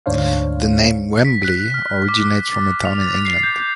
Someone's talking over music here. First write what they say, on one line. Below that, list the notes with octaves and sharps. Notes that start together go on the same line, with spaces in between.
The name 'Wembley' originates from a town in England.
D2 G#2 D4 C5 C#5 F5
B6
F#6
F6
D6
A6
F7
A6
C7
G6